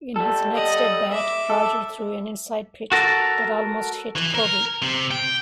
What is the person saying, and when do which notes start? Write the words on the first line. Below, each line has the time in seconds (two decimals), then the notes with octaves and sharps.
In his next at-bat, Roger threw an inside pitch that almost hit Koby.
0.16 G3 A4
0.55 D#5 F#5
1.11 E5 D6
1.50 A4
2.92 F#4 A4 A#4
4.16 E3
4.35 A#4
4.82 C3
5.11 G5